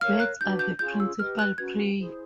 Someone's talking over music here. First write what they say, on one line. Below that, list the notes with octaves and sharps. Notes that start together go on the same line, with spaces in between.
Birds are the principal prey.
A#4 C#5 F5 F6
F#6
D4 F#4 B4 G6
G6
C#4 F4 G#4 G6
E6
G4 B4 D#5 F6
F#6
C#4 F#4 B4 G#6
E4 G#4 C5